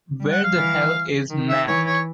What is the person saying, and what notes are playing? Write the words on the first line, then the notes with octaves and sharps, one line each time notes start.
Where the Hell is Matt?
G3
F#5
F5
E3
D#3
E5
E3 C#5
C#5